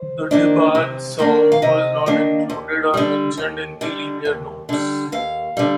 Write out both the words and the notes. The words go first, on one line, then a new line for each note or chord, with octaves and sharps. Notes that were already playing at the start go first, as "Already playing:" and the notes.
The DeBarge song was not included or mentioned in the liner notes.
Already playing: C5
D#3 A#3 D4
C3
D#3 A#3 D4
F5
C3 D#5
D#3 A#3 D4
D#2
D3 G3
D#2
D3 G3
D#2
D3 G3
D#2 F5
D3 G3